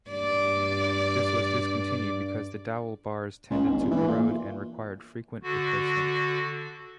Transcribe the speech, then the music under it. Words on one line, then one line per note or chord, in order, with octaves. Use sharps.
This was discontinued because the dowel bars tended to corrode and required frequent replacement.
G2 D5
C#2
G#1
G1
E3
A#2
D3 F#4